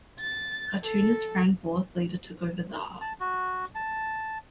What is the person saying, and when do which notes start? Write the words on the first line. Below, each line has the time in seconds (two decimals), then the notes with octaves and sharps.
Cartoonist Frank Borth later took over the art.
0.20 A6
0.83 A4
3.01 A5
3.20 F#4
3.75 A5